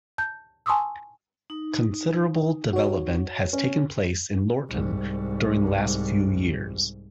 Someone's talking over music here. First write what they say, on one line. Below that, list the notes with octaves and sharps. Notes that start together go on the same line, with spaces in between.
Considerable development has taken place in Lorton during the last few years.
A5 G6
G#5 A5 C6 C#6 D#6 E6
D#4
F#4 C#5
C#4
C2 G#2